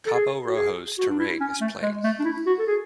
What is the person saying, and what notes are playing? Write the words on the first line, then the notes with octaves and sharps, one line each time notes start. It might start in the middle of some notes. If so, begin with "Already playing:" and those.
Cabo Rojo's terrain is plain.
A4
G#4
F#4
G#4
F#4
D4
E4
C#4
A3
G#3
A3
D4
E4
F#4
A4
G#4